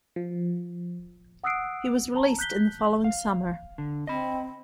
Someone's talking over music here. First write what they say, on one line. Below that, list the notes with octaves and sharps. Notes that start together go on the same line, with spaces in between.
He was released in the following summer.
F3
F#5 D#6 E6 F#6 C7 D7
A5 A#5
F#6 G6 B6 G7
F5
D3
C4 D#5 B5